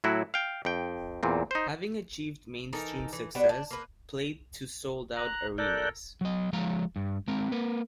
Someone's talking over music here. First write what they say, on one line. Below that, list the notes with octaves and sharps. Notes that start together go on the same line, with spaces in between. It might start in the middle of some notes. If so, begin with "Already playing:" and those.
Having achieved mainstream success, played to sold-out arenas.
A2 F#3 E4 F#4
F5 G5
F2 G5
E2 A#2 C4
D#4 C5
E3 D#4 A4 A#4
E3
F#3 G3 B3 D4
D4
A#3 B4
A#5 F#6
A4 A#4 D5 F#6 G6
F#3 D#5
F3 G#3 F5 A#5
G2
G#3 C4 A#5
A#3 A#4 B4